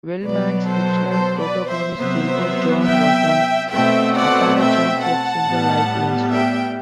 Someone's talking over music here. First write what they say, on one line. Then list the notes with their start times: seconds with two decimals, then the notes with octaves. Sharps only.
Wellman's fictional protagonist, Silver John, was an Appalachian folk singer, like Lunsford.
0.23 B2 F#3 B3 B4 D5
0.67 A4 C5
1.10 A4 C5
1.39 B4 D5
1.69 C5 E5
1.97 C3 F#3 B3 C5 E5
2.84 E5 G5
3.71 B2 A3 C4 E5 G5
4.16 D5 F#5
4.58 E5 G5
5.02 F#5 A5
5.45 A2 G3 B3
6.32 E5 G5